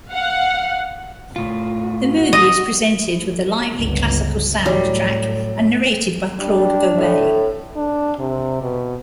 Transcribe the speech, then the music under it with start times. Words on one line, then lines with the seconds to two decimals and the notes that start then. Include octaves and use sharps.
The movie is presented with a lively classical soundtrack and narrated by Claude Gobet.
0.11 F5 F#5
1.36 A2 F4
2.17 F#4
2.33 D#5
3.75 G1 C#2
4.66 A2 F#3 G3
6.40 G3 D4
6.96 A2
7.76 D4
8.19 C3
8.62 B2